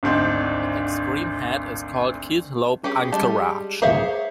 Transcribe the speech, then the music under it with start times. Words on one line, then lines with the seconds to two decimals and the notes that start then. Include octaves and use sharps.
The extreme head is called Kitlope Anchorage.
0.03 G#1 D2 C4 D4 D#4
2.84 C#4 G4 G#4
3.12 G3 G#3 A5
3.82 G#4 C5 C#5 E5 F5